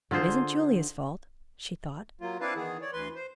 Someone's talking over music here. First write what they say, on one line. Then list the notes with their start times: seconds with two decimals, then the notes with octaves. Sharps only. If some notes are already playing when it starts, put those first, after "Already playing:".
"It isn't Julia's fault," she thought.
0.11 D3 F4 G#4 C5
2.21 F#3 A#3 F4
2.41 C4 D4 E4 B4 F5 A5
2.56 D#3 E3 B3 G#4
2.81 C#5 D5
2.93 D2 E3 B4 C6
3.15 C5